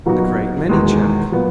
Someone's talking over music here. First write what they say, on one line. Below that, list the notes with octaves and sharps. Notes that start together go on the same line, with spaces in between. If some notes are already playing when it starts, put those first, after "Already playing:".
"A great many, Jack."
A#2 F#3 B3 D#4 F#4
E1 E2 D#3 G#3
A#2 F#3 B3